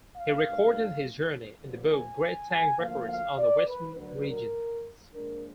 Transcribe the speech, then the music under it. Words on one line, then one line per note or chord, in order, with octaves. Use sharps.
He recorded his journey in the book "Great Tang Records on the Western Regions".
F5
B2 G#3 B3 D4
D#2 D3 F3 B3
G#5
G#5
D2 D3 F3 A#3 F5
F5
D5
B4
D2 D3 F#3 B4
A#4
A#2 F3 G#3 D4 A#4